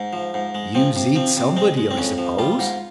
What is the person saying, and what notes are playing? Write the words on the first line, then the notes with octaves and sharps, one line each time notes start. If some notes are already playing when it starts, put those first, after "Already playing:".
"You zid somebody, I suppose?"
Already playing: G#2
F3
G#2
G#3
F3 C4
C3
F3 C4
C3
G#3 C4
G#3
C4
F2 C#4
F3
G3 F4
G#2